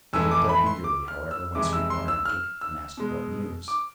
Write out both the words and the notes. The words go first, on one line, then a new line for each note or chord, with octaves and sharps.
He looked up eagerly, however, when Sweetwater entered, and asked what news.
F2 E3 A3 E6
D6
B5
C6
D6
F6
E6
F2 C3 E3 G#3 D6
E6
C6
E6
F6
E6
B2 G#3
D6